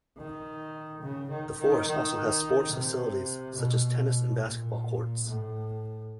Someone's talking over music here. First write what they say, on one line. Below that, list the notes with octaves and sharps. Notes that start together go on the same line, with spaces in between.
The Forest also has sports facilities, such as tennis and basketball courts.
D#3
C#3
D#3
D#3
D#3
C3
B2
A#2
A2